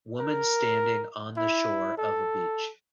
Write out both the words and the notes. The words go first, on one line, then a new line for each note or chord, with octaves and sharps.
Woman standing on the shore of a beach.
A#4
E4
A4